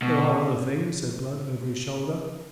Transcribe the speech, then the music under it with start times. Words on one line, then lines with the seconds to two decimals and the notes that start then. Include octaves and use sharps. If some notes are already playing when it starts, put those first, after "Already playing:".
"There are other things," said Blood over his shoulder.
0.02 B2